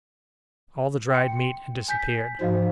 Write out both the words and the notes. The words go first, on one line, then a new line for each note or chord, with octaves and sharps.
All the dried meat had disappeared.
G5 C6 C#7
G#5 G6 B6
G#2 F3 F#4 D#5 F5